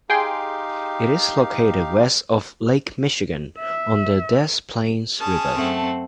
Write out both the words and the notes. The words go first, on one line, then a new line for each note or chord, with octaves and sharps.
It is located west of Lake Michigan on the Des Plaines River.
D#4 G4 G#4 F5 G5 C6
E5
C#4 G#4 A5
F#2 A3 C4 F#5